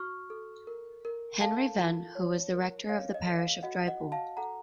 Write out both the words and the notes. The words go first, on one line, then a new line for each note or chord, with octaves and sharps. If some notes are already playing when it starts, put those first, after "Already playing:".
Henry Venn, who was the rector of the parish of Drypool.
Already playing: F#4 C#6 F6
A4
A#4
A#4
A4 F5 A5
F4
C#5
A#4
C#5 F5
D#5
A4
F5
F#4 D#5 F#5
D#5 F#5
F#4
F5 A5
A4 F#5 A#5